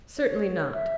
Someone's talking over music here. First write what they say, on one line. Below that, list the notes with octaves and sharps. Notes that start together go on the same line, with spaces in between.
Certainly not.
C#5
E5